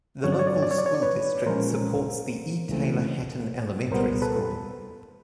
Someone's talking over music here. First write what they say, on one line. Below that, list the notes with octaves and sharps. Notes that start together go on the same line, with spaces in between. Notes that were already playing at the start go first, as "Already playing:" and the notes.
The local school district supports the E. Taylor Hatton Elementary School.
G2 D3 F#3 C#5
D5
C#5
D5
C#5
D5
C#5
D5
C#5
D5
B4 C#5
A#2 F3 G#3 C#4 A#4 C5
C#2 C#3 E3 A3 C4
C2 A#2 G3 B3 A#4 C5
A4 B4